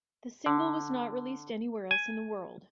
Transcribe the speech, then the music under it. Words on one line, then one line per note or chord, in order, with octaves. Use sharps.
The single was not released anywhere else in the world.
D3
G#5